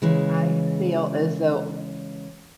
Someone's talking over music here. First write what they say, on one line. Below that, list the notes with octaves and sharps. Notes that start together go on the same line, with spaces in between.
I feel as though,
C#3 E3 G#3